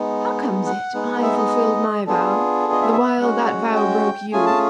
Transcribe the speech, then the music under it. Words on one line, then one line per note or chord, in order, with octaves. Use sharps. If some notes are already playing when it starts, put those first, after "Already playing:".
'How comes it I fulfilled my vow the while that vow broke you?
Already playing: G#3 B3 D#4
F#5
G#3 B3 D#4
E5
D#5
B3 D4 F4 G#4 A4
A4
D#5
E5
E5
G#3 C#4 F#4 F#5
G5
A3 C#4 F4 G#4 G#5
A5